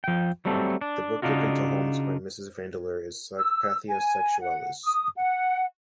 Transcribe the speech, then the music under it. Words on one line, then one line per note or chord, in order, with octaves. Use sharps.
The book given to Holmes by Mrs Vandeleur is "Psychopathia Sexualis".
F3 G5
F#3 G3 A3 C4 A4
D4
C#3 D4 D#4 F4 F#4
E6
G#5
F#5
D#6
F#5